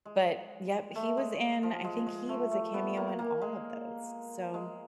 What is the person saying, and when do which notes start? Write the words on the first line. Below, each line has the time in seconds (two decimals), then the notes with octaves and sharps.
But yep, he was in I think he was a cameo in all of those, so.
0.05 G#3
0.95 A3
1.17 G#3
1.63 F3
1.84 G#3
2.07 G#3
2.29 A3
2.51 A3
2.74 B3
2.97 A#3
3.19 A#3
3.42 G#3
4.54 G#3